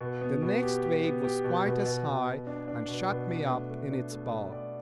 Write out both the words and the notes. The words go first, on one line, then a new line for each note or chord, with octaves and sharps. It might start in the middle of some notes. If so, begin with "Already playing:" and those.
The next wave was quite as high, and shut me up in its bulk.
B2
B3
B2
G4
G4
B3
G4
B2
B2
B2
B2
B2
D4
D4
B2
B2
D4
A3
A3
D4
A3
A3
D5